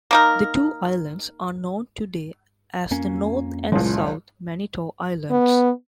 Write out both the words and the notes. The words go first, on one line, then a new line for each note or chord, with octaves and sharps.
The two islands are known today as the North and South Manitou Islands.
A#3 D#4 A#4
F2 A#3 C#4
F#1 C#2 A#2 G#3
B3